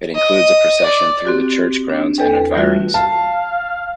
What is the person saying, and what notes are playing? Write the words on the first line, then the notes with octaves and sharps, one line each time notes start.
It includes a procession through the church grounds and environs.
D#5
D5
C4 F#4 G4
D4
E2 A4 B4 G5
B4
E3 G3 A3 F4 F#4
F5 A5